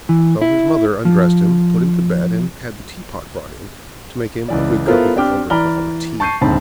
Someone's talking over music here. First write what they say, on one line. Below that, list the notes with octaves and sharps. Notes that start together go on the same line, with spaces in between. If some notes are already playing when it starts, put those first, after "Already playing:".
So his mother undressed him, put him to bed, and had the tea-pot brought in, to make him a good cup of Elderflower tea.
E3
E4
F3
C#2 E3 D5
B3 E4 F4 A4 A#4 C5
C4 D4 G4 G5 D6 F6
E3 D5 A#5 B5 F6 G7
A5 C#6 G6 C7 D#7
D#1 D2 G#2 C4 A5 B5